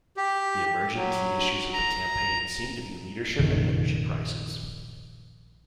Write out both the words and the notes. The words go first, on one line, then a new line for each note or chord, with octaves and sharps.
The emerging key issues of the campaign seem to be leadership and energy prices.
G4
F#3
A#5
A#1 F#2 C3 D#3